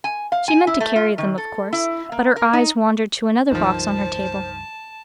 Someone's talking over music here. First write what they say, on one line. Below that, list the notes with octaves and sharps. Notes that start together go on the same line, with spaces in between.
She meant to carry them, of course, but her eyes wandered to another box on her table.
G#5
F5
G#5
E4
A3
F4
D#3
A4
E4
A#3
A#4
D#4
C#2 G2 D#3 F3 C5 A5